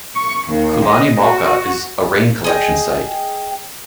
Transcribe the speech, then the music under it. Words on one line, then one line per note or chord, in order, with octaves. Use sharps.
Kulani Mauka is a rain collection site.
C#6
D#2
D#5
F#4
G#4 D#5 G5